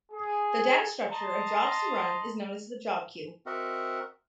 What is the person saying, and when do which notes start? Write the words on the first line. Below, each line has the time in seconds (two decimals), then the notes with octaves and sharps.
The data structure of jobs to run is known as the job queue.
0.12 G#4
1.11 D#5 A5 A#5 C6
3.46 C4 F#4 A#4 D#5 E5 F#5